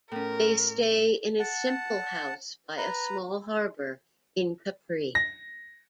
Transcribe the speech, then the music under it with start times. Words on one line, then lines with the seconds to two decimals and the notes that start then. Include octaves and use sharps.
They stay in a simple house by a small harbour in Capri.
0.11 A2 C#4 A#4
1.40 F#5 A5
2.78 B4 A#5
5.15 A#6